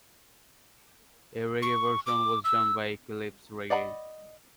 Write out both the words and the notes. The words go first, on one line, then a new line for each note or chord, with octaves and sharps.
A reggae version was done by Eclipse Reggae.
C#6
D6
E6
D5 D#5 F#5 A#5 B5